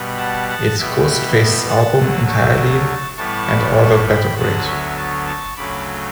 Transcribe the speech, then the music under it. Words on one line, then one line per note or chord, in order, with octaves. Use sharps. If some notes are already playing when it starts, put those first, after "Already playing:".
It's Ghostface's album entirely and all the better for it.
Already playing: B2 G3 B3
F#5 A5
F#5 A5
B2 G3 B3 E5 G5
F#5 A5
D2 D3 F#3 A3
A5 C#6
A2 E3 G3 B3 A5 C#6
A5 C#6
G5 B5
D2 D3 F#3 B3 F#5 A5
C#5 E5
A5 C#6
A5 C#6
D2 C#3 F#3 A3 B5 D6